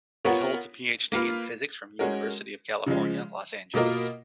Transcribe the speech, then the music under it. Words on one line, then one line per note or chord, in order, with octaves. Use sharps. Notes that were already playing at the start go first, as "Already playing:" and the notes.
He holds a Ph.D. in Physics from University of California, Los Angeles.
B3 F4 A#4 C#5
A#3 F4 B4 F5
G#3 C#4 F#4 A#4
C#3 F3 G#3
B2 A#3 F4 A#4 D#5